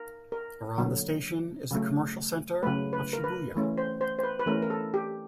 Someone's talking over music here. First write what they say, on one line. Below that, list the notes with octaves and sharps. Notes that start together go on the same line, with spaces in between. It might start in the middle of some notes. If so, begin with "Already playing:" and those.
Around the station is the commercial center of Shibuya.
Already playing: A#4
A#4
D3 F#3 A#3
C#3 F#3 A3
C#3 F#3 A3 B4
B4
A#4
B4
E3 A3 C#4
C5
C5
C5
B4
B4
E3 A3 C#4 A#4
A#4
A4
G4